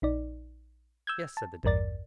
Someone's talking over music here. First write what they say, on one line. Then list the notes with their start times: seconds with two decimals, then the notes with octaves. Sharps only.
"Yes," said the dame.
0.02 A#1 D#4 D5
1.07 E6 G6 G#6
1.37 A5
1.64 A1 E2 G2 A#4 D5 A6